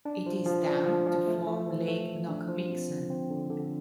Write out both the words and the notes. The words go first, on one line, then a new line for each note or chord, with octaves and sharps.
It is dammed to form Lake Nockamixon.
D4
F3
F3
D4
F3
F3
A3
A3
F3
A3
F3
D4
F3
C4
D3
C4
D3
D3